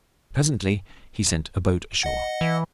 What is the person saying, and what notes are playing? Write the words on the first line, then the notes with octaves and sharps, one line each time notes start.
Presently he sent a boat ashore.
D#5 F#5
E3